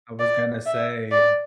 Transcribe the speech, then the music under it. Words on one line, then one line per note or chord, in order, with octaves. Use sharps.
I was gonna say
D5
E5
D5